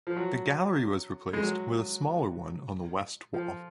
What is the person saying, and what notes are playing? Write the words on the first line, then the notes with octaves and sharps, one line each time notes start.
The gallery was replaced with a smaller one on the west wall.
F3
F#3
G#3
F#3
F3